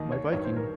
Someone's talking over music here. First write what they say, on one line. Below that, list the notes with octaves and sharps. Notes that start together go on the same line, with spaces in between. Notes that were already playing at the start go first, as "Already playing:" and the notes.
my biking.
Already playing: D#2 D#3 D#5
C#5
G2 D#3 C#5
C5
A#4